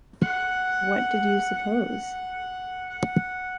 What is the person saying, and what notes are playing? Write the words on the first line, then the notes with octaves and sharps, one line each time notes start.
What did you suppose?
F#5
F#5
F#5